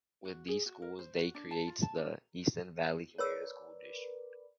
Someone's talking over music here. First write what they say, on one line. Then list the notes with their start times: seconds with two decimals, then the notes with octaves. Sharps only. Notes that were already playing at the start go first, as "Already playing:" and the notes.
With these schools they creates the Easton Valley Community School District.
0.25 F#4
0.48 G#4
0.66 F#4
0.82 A#4
0.99 C5
1.17 F#4
1.34 D4
1.51 A5
1.67 F4
1.83 A5
1.97 D4
3.18 A#4 B4 C#5 D5 E6